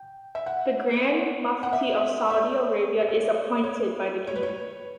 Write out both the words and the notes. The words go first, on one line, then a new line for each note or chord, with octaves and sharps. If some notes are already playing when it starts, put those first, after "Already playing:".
The Grand Mufti of Saudi Arabia is appointed by the King.
Already playing: G5
E5
F#5
F#5
E5
E5
D5
D5
E5
D5
C#5
C#5
B4
C#5